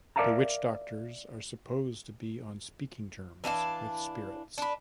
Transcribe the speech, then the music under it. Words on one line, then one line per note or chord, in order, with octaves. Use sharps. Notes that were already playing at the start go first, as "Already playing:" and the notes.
The witch-doctors are supposed to be on speaking terms with spirits.
A#4 D5 E5 F5 A5 A#5
E3 D4 F5 A5
D4 B4